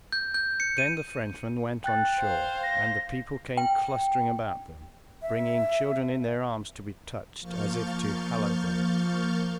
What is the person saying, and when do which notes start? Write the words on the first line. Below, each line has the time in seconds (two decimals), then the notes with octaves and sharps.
Then the Frenchmen went on shore, and the people came clustering about them, bringing children in their arms to be touched, as if to hallow them.
0.12 G6
0.34 G6
0.60 C#7
0.78 D#7
1.84 G5 F#6 A6
2.18 C5 F5
2.63 A#6
3.57 G5
5.22 E5
7.40 F3 A#3 C#6 F6 G6 A6